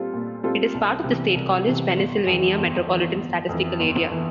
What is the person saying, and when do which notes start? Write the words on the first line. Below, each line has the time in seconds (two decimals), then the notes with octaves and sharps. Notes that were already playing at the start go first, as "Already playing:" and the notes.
It is part of the State College, Pennsylvania Metropolitan Statistical Area.
Already playing: A#2 G3 C4 F4 A4
0.14 A#2
0.43 G3 C4 F4 A4
0.74 C2
1.04 C3 E3
1.35 C2
1.66 C3 E3
1.97 G1
2.27 F2 E3
2.58 G1
2.87 F2 E3
3.18 G1
3.49 F2 E3
3.79 G1
4.11 E3